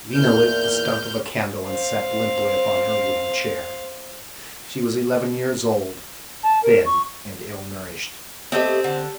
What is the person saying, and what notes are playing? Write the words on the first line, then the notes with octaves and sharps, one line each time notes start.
Lena lit the stump of a candle and sat limply upon her wooden chair. She was eleven years old, thin and ill-nourished.
E2 A#2 E3 F6 G6
C4 F5
A5
A#4
C#6
A3 C4 G4 D#5
D3